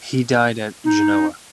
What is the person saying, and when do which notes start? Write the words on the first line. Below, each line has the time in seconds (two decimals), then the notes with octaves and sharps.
He died at Genoa.
0.85 D#4